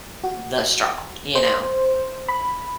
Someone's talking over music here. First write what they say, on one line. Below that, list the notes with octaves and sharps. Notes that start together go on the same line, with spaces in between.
the straw, you know?
F#4
C5
B5